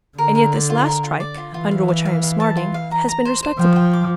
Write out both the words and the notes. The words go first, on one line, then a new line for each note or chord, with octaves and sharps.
And yet this last strike, under which I am smarting, has been respectable.'
D3 A#4
A#4
D5
F4
A#4
F4
D5
F4
E3 F4
F5
F5
F5
F5
A5
F4
F5
A#5
A#5
C5
C5
F3 G5
G5
D6